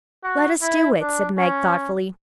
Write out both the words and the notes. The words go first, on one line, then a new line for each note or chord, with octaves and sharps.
"Let us do it," said Meg thoughtfully.
F#4
E4
D4
C#4